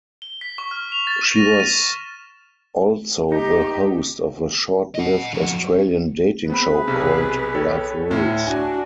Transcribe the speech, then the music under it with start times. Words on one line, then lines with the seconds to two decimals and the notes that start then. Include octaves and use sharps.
She was also the host of a short-lived Australian dating show called "Love Rules".
0.22 G7
0.41 B6
0.58 C#6
0.71 F6
0.92 F7
1.07 A6
1.21 D#7
1.36 A#6
1.60 D#7
1.72 E7
3.32 D#4 G4
4.95 D#5 F#5
5.34 F2 F#4
6.50 B3 C4 G#4 B4 B5
6.88 B1 C3
7.54 A4 C#5 G5
8.10 D2 A2 E4
8.47 D4 F#4 G#5